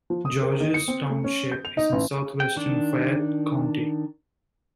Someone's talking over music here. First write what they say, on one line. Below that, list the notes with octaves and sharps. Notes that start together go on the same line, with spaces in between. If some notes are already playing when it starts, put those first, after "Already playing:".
Georges Township is in southwestern Fayette County.
F3
D#6
A#4
D#3
C#7
C4
A3
C#4
G6
F7
D#4
A1
G5
D#3 D4